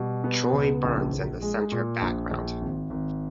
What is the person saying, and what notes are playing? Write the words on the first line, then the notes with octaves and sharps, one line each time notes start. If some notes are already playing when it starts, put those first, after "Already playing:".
Troy burns in the centre background.
Already playing: B2 G3
B3
C#2
A#1
A#1
G#3
A#2
A#1
A#1
G#1
G#1